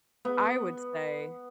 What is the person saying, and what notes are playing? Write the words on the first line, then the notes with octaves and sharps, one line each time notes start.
I would say
B3